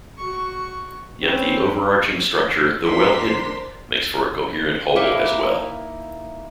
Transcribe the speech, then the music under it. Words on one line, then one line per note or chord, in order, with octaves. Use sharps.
Yet the overarching structure, though well hidden, makes for a coherent whole as well.
F#4 C#6
C4 C#4 B4
D4 A#4 C5 C6 B6
A#3 D#4 E4